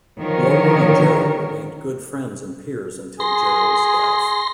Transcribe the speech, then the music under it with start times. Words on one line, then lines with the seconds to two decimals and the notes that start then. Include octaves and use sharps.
Lowell and Jarrell remained good friends and peers until Jarrell's death.
0.20 D3 D#3 F3 A#4 C#5
3.20 G#4 C6 A#6